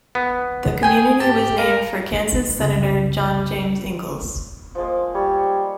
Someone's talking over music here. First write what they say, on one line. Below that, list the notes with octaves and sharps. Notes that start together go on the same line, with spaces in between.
The community was named for Kansas senator John James Ingalls.
B3
G#4 G5 G#5
G#2 G4 A5
A#4 F5
F#1 C2 C#3
F3 G#3 A#3
G3 C#5